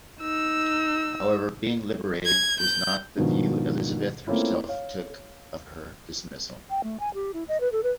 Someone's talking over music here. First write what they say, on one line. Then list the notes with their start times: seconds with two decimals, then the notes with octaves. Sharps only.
However, being 'liberated' was not the view Elizabeth herself took of her dismissal.
0.21 D#4 E6
2.26 G#6
2.60 G6
3.17 G#2 B2 D#3 F3 D4
4.27 A3 A#3 C4 C#4 E4 F4
4.68 C#5 F5
6.70 G5
6.84 A3
7.00 G#5
7.14 G4
7.34 E4
7.49 D#5
7.61 B4
7.72 A4
7.84 B4